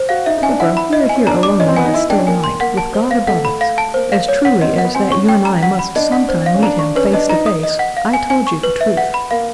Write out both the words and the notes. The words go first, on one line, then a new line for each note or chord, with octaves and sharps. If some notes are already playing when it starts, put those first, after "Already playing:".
Barbara, we are here alone in the still night, with God above us; as truly as that you and I must sometime meet Him face to face, I told you the truth.
Already playing: C5
F#4 F5
D#4 E5
D#4
G#5
D4
E4 F#5
B5
D#5
G#5
C#4
D4 A#5
D6
C#4 D#5
C4
B3 G#5
D#4
E4 D#5
D4 G5
C#4
A#3 G#5
C6
A#3 F#5
A5
C5
F5
A3 F#5
B5
F5
A5
A#3 C5
F5
C#5
F#5
C4 D#5
A#3
F#5
B3
C4 G#5
C#4 C#6
G5
A#5
F#5
B5
D4 D#5
F#5
C5
F5
C#4
D4 A#5
C#6
C#4 B4
D4 D#5
D#4 A#5
D#6
D#5
F#5
F5
G#5
G#5
C#6
B4
E5
F#5
B5
A#3 F5